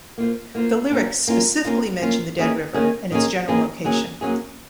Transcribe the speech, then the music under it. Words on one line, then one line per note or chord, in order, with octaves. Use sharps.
The lyrics specifically mention the Dead River, and its general location.
A#3 F4 C5
A#3 F4 C5
A#3 C#4 F4
A#3 C#4 F4
A#3 C#4 F4
A#3 C#4 F4
D#3 A#3 C#4 G#4
D#3 A#3 C#4 G#4
D#3 A#3 C#4 G#4
D#3 A#3 C#4 G#4
F#3 A#3 C#4 G#4
F#3 A#3 C#4 G#4